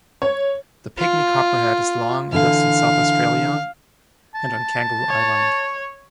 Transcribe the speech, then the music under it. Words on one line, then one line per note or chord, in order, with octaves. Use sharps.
The pygmy copperhead is long, and lives in South Australia and on Kangaroo Island.
C#5
F4
D3 E3 F5
A5
C#5